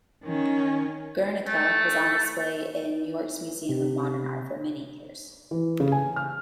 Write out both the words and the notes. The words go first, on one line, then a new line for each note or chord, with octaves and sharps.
"Guernica" was on display in New York's Museum of Modern Art for many years.
D#3 C#4
A3
C3
E3
C#3
G#5
F6